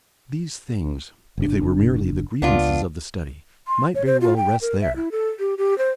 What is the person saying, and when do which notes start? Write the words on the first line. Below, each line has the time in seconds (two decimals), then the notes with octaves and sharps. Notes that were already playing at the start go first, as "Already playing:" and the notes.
These things, if they were merely the grievances of the study, might very well rest there.
1.38 F#1 A2 D4
2.42 C#2 B3 D4 F4
3.68 C6
3.95 C#5
4.06 C5
4.21 F4
4.37 G5
4.62 A#4
4.81 E5
4.96 E4
5.12 A4
5.39 G4
5.58 G4
5.78 C5